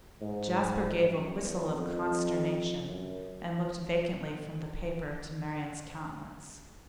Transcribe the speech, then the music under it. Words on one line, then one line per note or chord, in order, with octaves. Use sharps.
Jasper gave a whistle of consternation, and looked vacantly from the paper to Marian's countenance.
G#2
F#2
E2
F2
F#2